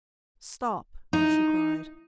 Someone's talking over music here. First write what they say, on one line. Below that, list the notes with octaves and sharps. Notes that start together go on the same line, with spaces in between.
"Stop!" she cried.
D#4